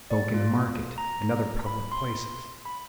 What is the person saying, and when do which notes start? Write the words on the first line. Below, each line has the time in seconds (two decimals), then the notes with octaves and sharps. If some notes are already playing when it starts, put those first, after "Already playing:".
He spoke in the market and other public places.
0.10 D5
0.34 F4
0.98 A#5
1.66 B5
1.92 C6
2.66 B5